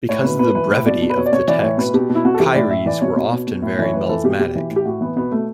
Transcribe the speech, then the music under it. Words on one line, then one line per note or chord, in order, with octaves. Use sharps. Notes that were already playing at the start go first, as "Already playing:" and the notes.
Because of the brevity of the text, Kyries were often very melismatic.
A2 C#5
B2 B4
B2 B4
E3 B4
A2
B2 D5
B2
B4
B2 C#5
D5
B2 C#5
E3 D5
A2 C#5
B2 B4
B2 G4
B2
E4
B2 F#4
A4
E3 G4
A2 D5
A2 E5
E3 D5
B2 C#5
B2
B2
B2
A2
E3 C#5
A2 B4
E3 A4
B2 G4
B2 G4
E3
A2
G4
A2 F#4
E3 B3
B2 B3
B2 A3